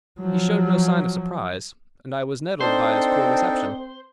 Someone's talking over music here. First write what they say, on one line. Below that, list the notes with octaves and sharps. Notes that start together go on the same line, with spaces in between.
He showed no sign of surprise, and I was nettled by his cool reception.
F3 F#3
C4 D4 D#4 A4 C5